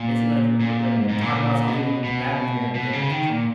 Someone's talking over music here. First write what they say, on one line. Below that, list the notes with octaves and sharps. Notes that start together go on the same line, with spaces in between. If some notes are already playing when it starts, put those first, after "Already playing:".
if she like, a g like, we talk about something that happens, we have it happens.
Already playing: A#2
A#2
G#2
G#2
A#2
B2
B2
B2
C#3
D#3
A#2